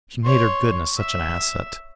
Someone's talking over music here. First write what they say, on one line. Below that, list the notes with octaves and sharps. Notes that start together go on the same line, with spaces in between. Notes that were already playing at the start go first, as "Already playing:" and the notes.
She made her goodness such an asset.
C#5 C6
E5